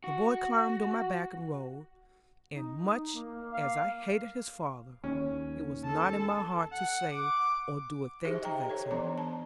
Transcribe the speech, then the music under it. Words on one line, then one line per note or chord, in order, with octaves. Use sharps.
The boy climbed on my back and rode; and much as I hated his father, it was not in my heart to say or do a thing to vex him.
F#4
D#4
A#3
F5
D#2 C#4
A4 A5
F#5
D6
D#4 G4 G#4 C5 E5
D#5 G5 A#5
A4 C5 C#5
E3 B3 D4 A#5
A5